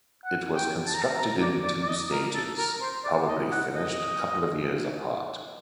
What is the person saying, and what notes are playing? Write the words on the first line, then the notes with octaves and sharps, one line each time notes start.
It was constructed in two stages, probably finished a couple of years apart.
F#5
G5
A5
A#5
A5
A#5
D5
D5
D5
D#5
A#4
A4
A#4
C5
D5
D#5
F#5
D#5